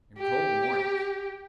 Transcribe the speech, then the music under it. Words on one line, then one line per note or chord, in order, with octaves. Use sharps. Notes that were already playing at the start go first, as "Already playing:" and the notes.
And cold mornings.
G4